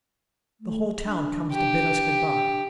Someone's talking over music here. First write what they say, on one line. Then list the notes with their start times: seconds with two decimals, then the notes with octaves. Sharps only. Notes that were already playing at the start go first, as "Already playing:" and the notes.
The whole town comes to bid us good-by.
0.61 A3
1.05 D4
1.52 G4